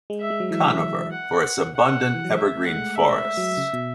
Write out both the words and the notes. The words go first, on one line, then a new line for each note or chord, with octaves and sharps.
Conover for its abundant evergreen forests.
G#3
E5
G#3
F#3
E3 E5
F#5
F#5
E3
F#3
G#3 E5
A3
F#5
A3
G#3
E5
F#3
C#3
B2